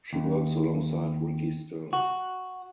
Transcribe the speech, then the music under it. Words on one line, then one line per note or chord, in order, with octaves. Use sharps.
She works alongside Ricki Stern.
D#2
F#4